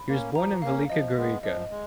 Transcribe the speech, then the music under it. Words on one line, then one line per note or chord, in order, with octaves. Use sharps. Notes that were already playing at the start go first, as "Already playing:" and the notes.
He was born in Velika Gorica.
Already playing: B5
A#3 C#4
F3 A#5
A#3 C#4 F5
F3 D#5
G#3 B3
F3 D#5
G#3